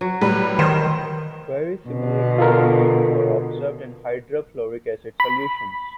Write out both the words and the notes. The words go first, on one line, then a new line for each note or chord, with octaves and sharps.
Very similar results were observed in hydrofluoric acid solutions.
F#3
A2 G3 B4
D#3 C5
B2 D3
F4 A4 A#4
B5